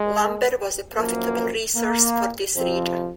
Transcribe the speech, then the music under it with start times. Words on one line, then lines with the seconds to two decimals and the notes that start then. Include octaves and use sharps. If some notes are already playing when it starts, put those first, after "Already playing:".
Lumber was a profitable resource for this region.
Already playing: G#3
0.97 F#2 F3 A#3
1.76 A#3
2.56 F2 C3 F3 C4